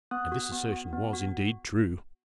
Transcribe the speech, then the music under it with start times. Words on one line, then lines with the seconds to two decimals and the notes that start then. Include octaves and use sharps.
And this assertion was indeed true.
0.11 B3 D#6 F#6
0.32 F#4
0.52 B3
0.72 F#4
0.93 B3
1.13 F#4